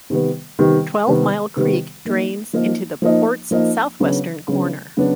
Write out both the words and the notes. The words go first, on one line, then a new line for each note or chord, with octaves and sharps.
Twelve Mile Creek drains into the port's south-western corner.
C3 D#3 G3 B3
C3 D#3 G3 B3
C3 D#3 G3 B3
C3 D#3 G3 B3
F3 A#3 D#4
F3 A#3 D#4
F3 A#3 D#4
F3 A#3 D#4
C#3 F#3 B3 D4
C#3 F#3 B3 D4
C#3 F#3 B3 D4